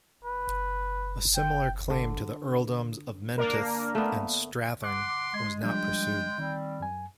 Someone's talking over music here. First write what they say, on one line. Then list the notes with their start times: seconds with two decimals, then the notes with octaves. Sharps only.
A similar claim to the Earldoms of Menteith and Strathearn was not pursued.
0.24 B4
1.36 G5
1.90 D3
3.38 A#3 D4 A#4
3.95 A3 B3
4.83 F#5 C6 D6 F#6
5.34 G#3 G#6
5.63 F3 G3 D4 G5
6.38 D#3 G3 C4
6.80 F#2 G#5